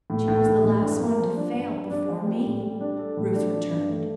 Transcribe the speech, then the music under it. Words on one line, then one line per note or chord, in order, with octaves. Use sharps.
"She was the last one to fail before me," Ruth returned.
A2
A2
A2
A2
G2
A#3
F3
D4
G2
G2
D4
F3
G3
A2
G3
D4
A4
A2
D4
D4
G2
A3